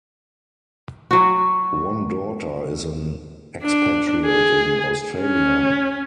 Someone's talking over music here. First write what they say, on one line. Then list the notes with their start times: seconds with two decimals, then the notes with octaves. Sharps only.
One daughter is an expatriate in Australia.
1.11 F#3 F#4
3.63 D4
4.25 G#4
5.21 C#4